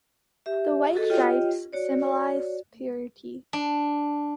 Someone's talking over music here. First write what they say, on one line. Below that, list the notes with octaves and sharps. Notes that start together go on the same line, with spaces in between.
The white stripes symbolize purity.
G4 E5
F#4 G#4 A4 D#5
F4 G4 C#5 D#5 G5
F#4 C#5 D5
D4